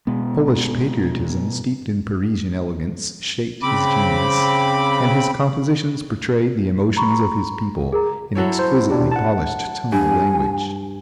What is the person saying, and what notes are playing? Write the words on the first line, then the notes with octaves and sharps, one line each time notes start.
Polish patriotism steeped in Parisian elegance shaped his genius, and his compositions portray the emotions of his people in exquisitely polished tonal language.
B2 G#3 B3
C#3 C4 B5 D6
A#5 B5 C#6
G#4 A#4 A#5
F#3 E4 A4 C#5
C5
B2 D4 G4
F#5 A5
G2 G#5